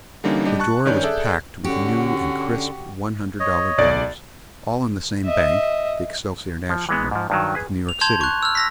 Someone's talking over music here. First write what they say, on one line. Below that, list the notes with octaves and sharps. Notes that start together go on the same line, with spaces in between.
The drawer was packed with new and crisp one-hundred-dollar bills, all on the same bank, the Excelsior National, of New York City.
D3 E3 G3 A#3 C#4 D#4
G3 D4 G4 D#5
A5 C#6 F#6
G2 D#3 C#4 C#5 D5 G6
G#4 A4 D5 E5
D3 C#4 F#4 G4
C#5 D#5
B1 D5 A6
D#5 E5
F3
E3 G#3 B3
G#2 F3
G2 D#3 F#3
G#4 B4
F7
A5 C6 G6 G#6 F7
C#6 F#6
E6 F6
E6 A#6 B6